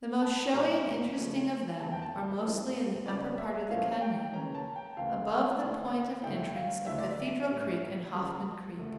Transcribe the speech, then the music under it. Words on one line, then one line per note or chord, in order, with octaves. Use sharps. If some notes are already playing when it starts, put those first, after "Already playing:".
The most showy and interesting of them are mostly in the upper part of the canyon, above the point of entrance of Cathedral Creek and Hoffman Creek.
A5
A#2 G3 C#4 A#5
C#3 F3 A3 C#4
E2 D3 G3 A5
G5
A5
G2 F3 C#4 E4
C#3 F3 C#4 D5
E5
A#2 F3 C#4 E4 F5
G5
C#3 E3 A#3 C#4 A#5
A5
G5
D2 C#3 E3 F5
D2 D3 A3 C#4 E4
G2 D3 A3 E4 G5
F5
D2 D3 A3 E4 E5
D5
E5
A2 G3 C#4 E4
C#2 C#3 F3
D3 A3